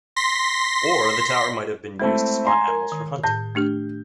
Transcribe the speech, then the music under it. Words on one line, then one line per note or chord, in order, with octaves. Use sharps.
Or the tower might have been used to spot animals for hunting.
C6 A#6 B6
G#3 A3 C4 E4
G#5 A#5 C6
A#4
D#3
A2 G6 A#6
A3 D4 G4